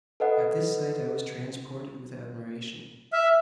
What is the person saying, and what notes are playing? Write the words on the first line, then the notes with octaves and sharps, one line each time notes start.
At this sight I was transported with admiration.
A4 B4 D#5 F#5
E5 F6